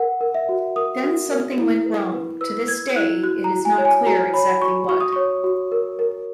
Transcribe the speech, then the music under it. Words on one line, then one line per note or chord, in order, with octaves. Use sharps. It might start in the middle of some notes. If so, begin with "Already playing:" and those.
Then something went wrong: to this day, it is not clear exactly what.
Already playing: A#4 F#5
A#4
E5
F#4
A#4 D#6
F#4
A#4
E4
B4
B4
B4 E6
B4 G#6
E4 F#6
F#4 F#6
A#5
F#4
G#5
C#5
G#5
F#4 A#5
C#5 B5
F#4 C#6
F#4 C#6
D#6
C#5 C#6
F#4
A#4
A#4